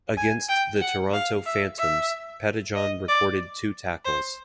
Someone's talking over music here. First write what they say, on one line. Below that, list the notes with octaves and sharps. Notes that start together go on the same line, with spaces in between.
Against the Toronto Phantoms, Pettijohn recorded two tackles.
G#5
G5
F#5
F5
E5
E5
D#5
D5
C5